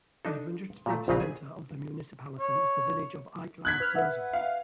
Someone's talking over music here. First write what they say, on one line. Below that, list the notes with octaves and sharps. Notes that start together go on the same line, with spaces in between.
The administrative centre of the municipality is the village of Eikelandsosen.
D4 D#4 A4
A#2 A3
A#1 C#3 C4 B4 A#5
G#4 G#5
C#5
F#6 G#6 B6
B4 F6
B4 E5 F#5
F5